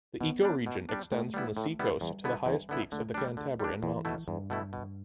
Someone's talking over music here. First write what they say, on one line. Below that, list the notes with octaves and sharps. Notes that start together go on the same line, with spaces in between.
The ecoregion extends from the seacoast to the highest peaks of the Cantabrian Mountains.
B2 B3
G3 D4
B2
G3 D4
A2 A3
G3 B3 E4
A2
G3 B3 E4
E2 G3
D3 B3 E4
E2
D3 B3 E4
D3 A3
G3 D4
D3
G3 D4
E2 E3
B2 A3 E4
E2 G2
B2 A3 E4
B2